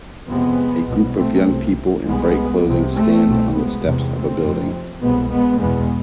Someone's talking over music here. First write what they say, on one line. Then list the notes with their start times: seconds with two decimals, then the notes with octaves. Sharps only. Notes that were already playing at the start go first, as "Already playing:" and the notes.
A group of young people in bright clothing stand on the steps of a building.
0.27 F2 C3 G#3 B3
0.87 C2 B2
1.16 A3 C4
1.46 C2 C3
2.05 C2 B2 G#3 B3
2.64 C2 C3
2.93 A3 C4
3.23 C2 B2
3.52 G#3 B3
3.82 E2 C3
4.11 A3 C4
4.42 F2 C3
5.00 C2 B2 G#3 B3
5.30 G#3 B3
5.59 E2 B2 G#3 B3